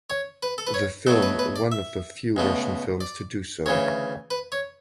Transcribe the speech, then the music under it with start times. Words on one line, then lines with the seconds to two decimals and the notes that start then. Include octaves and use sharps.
The film one of the few Russian films to do so.
0.10 C#5
0.43 B4
0.58 A4
0.67 B4
0.74 C#5
1.07 B2 F#3 A3 A4
1.22 B4
1.39 B4
1.56 D5
1.72 E5
2.36 C#2 B2 A3
3.01 D5
3.66 D2 C#3 E3 C#5
4.31 B4
4.52 C#5